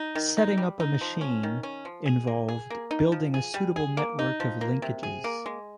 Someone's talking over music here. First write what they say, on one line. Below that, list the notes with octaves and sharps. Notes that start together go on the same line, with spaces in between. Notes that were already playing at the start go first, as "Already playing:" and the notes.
Setting up a machine involved building a suitable network of linkages.
Already playing: D#4
D#3
D#4
G3
D#4
F3
C#4
D#3
C#4
F3
G#4
A#3
G#4
A#3
D#4
F3
G#4
G3
G#4
A#3
D#4
F3
A#3
C3
G#4
A#3
G#3